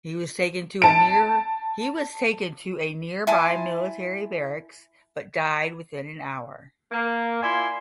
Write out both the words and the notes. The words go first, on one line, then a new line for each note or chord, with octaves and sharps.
He was taken to a nearby military barracks but died within an hour.
A5 D7
E4 G#5 A5 C6
A#3
E4 F4 D5 G#5 C6